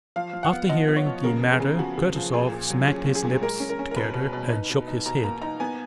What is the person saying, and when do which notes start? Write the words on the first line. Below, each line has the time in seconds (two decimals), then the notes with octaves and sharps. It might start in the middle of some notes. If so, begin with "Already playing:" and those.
After hearing the matter, Kutuzov smacked his lips together and shook his head.
0.16 F3 F5
0.33 F3
0.43 F#5
0.52 B3
0.70 F3 D#5
0.88 B3
0.96 C#5
1.06 F3
1.24 C#3 A#4
1.43 B3
1.52 G#4
1.60 C#3
1.79 F3 F#4
1.98 C#3
2.16 F3
2.33 A#2 G#4
2.52 A#2
2.70 F#3
2.88 C#4 G#4
3.06 C#4
3.15 G#4
3.24 A#2
3.42 G#3 A#4
3.60 C#4
3.69 A#4
3.79 C#4
3.91 A#4
3.96 B2 B4
4.14 B2
4.33 B2
4.52 D#4
4.70 B2
4.88 D#4
5.06 B2 A#5
5.24 A#3 A#5
5.42 D#4 A#5
5.60 B3 G#5